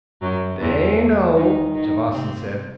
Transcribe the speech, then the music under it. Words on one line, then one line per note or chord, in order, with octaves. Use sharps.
"They know," Javasan said.
F#2 F#3
E2 E3
D#3 D#4
D#3 D#4
C3 C4